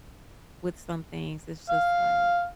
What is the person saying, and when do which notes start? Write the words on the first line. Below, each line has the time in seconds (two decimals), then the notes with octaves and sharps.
with some things, it's just like
1.70 F5